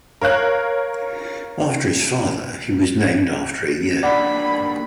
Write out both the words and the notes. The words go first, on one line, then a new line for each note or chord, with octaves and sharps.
After his father, he was named after a year.
A#4 C#5 F5 F#6
D#2 D3 D5 F#5 B5